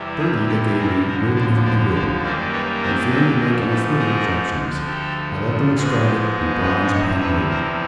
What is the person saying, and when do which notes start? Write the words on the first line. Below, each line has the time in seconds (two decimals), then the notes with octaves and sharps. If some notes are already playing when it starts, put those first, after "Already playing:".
Thirdly, they gave me, 'Ridd never be ridden,' and fearing to make any further objections, I let them inscribe it in bronze upon blue.
Already playing: E2 C3 E3 G3
0.18 G#4
0.48 G4 A4
0.78 G#4 A#4
1.07 D#2 D3 F3 A#4 C5
1.35 C5 D5
1.65 C5 D5
1.94 C5 D5
2.23 F#2 D#3 G3 A#3 C5 D5
2.52 B4 C#5
2.82 A#4 C5
3.11 A4 B4
3.40 G#2 F3 A3 G#4 A#4
3.69 A4 B4
3.99 G#4 A#4
4.58 D2 D3 F3
4.87 G4 A4
5.75 G#2 F3 G#3 B3 G#4
6.04 G4
6.63 B4 C#5
6.91 E2 C3 F3 C#5 D#5
7.20 B4 C#5
7.50 A#4 C5